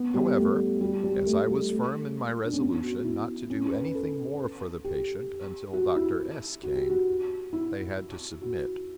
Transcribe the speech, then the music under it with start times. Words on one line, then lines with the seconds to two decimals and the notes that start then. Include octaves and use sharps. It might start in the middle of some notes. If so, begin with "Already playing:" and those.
However, as I was firm in my resolution not to do any thing more for the patient until Dr. S-- came, they had to submit.
Already playing: B3
0.14 G3
0.37 A3
0.81 G3
1.04 G3
1.26 A3
1.49 G3
1.71 A3
2.45 D4
2.53 C#4
2.60 B3
2.83 F#4
3.04 E4
3.50 C#4
3.72 B4
3.85 B4
3.95 A4
4.84 G4
5.73 F#4
5.96 E4
6.63 F#4
6.76 G4
6.90 F#4
7.53 E4
8.42 F#4